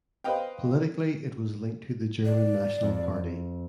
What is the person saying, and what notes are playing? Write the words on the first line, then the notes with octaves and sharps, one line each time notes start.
Politically it was linked to the German National Party.
B4 C5 D#5 F5 G5
D5
F2